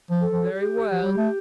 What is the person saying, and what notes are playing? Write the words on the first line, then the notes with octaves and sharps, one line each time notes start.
Very well.
F3
A4
F3
G4
F3
G3
A3